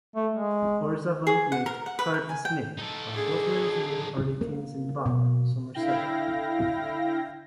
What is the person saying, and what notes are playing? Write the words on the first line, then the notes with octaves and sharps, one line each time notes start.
Orzabal met Curt Smith while both were in their early teens in Bath, Somerset.
A3
G#3
G#4
F#5
A#4
F#5
B4
A#4
G#5
G5
D#4 A4
D3 G#4
A#3
B2
D3 E4 F5 G5 A#6